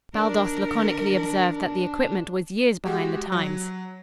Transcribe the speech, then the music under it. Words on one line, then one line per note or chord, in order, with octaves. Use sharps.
Baldos laconically observed that the equipment was years behind the times.
D#3 D4 A#4
G#3 F#4 G4
F#3